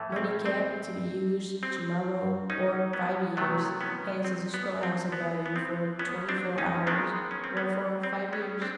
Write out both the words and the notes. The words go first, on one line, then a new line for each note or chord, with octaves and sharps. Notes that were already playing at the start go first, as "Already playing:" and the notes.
Money kept to be used to-morrow or five years hence is a storehouse of value for twenty-four hours or for five years.
Already playing: A2 E3 A3
C#4
C4
C4
C4
C#4 D#4
B3 C#4
C3 D#3 F#3 A3 B3
B3 C#4
C4
B3
C4
B3
B3
C4
B3 C#4
C4 D4
C#4 D#4
D#3 G#3 B3 C4 D4
C#4
C4
B3 C#4
C4
B3 C#4
C4 D4